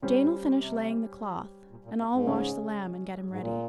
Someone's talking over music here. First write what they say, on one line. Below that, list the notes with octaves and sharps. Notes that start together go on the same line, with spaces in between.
Jane'll finish laying the cloth, and I'll wash the Lamb and get him ready.'
A#2 G3 C#4 G4 C5
G#2
A#2
C3
A#2
A#2
C3
G#2
C#3 G#3 C#4 G#4
G#2
A#2